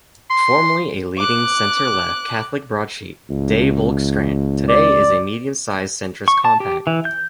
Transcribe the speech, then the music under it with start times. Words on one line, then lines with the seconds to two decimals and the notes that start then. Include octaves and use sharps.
Formerly a leading centre-left Catholic broadsheet, "de Volkskrant" today is a medium-sized centrist compact.
0.30 C6
1.18 D6 F#6
3.30 C#2
4.69 D5
6.28 C#6
6.45 A5
6.60 G4
6.87 E3
7.05 G6